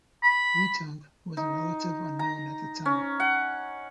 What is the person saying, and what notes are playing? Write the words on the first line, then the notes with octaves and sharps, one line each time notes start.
Whetung was a relative unknown at the time.
B5
D#4
A#5
C#4
F#5